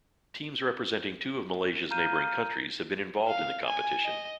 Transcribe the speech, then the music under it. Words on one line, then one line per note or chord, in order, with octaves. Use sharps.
Teams representing two of Malaysia's neighbouring countries have been involved in the competition.
F5 A#5 G6 D#7
F5
G#5
D#5